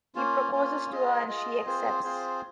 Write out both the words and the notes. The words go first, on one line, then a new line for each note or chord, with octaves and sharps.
He proposes to her and she accepts.
A#3 C#4 F4
A#3 C#4 F4
F4 G#4 D#5
F4 G#4 D#5
C4 F4 G#4 C5
C4 F4 G#4 C5